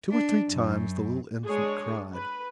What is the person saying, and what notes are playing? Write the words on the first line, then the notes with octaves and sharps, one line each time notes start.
Two or three times the little infant cried.
D4
F#2
G#3 D4 G#4 C#5
B4